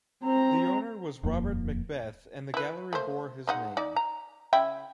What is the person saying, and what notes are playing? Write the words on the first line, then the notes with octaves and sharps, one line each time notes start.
The owner was Robert Macbeth and the gallery bore his name.
C4 A#5
D#1 F2 A#3
E4 B4
A3 A#3 C5
G#3 D#4 F#5
D#4 D5
A#5
C#3 E4 G5